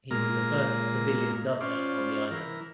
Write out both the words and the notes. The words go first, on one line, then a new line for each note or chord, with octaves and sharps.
He was the first civilian governor on the island.
A#2 G#3 A#3 F4 A#5
C#4 F4 C5 D5
E3 A#4